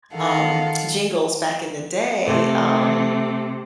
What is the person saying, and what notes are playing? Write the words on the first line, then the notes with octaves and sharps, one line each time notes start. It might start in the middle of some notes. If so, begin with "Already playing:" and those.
um, jingles back in the day, um,
D#3 F4 A4 F5 F#5
C3 A3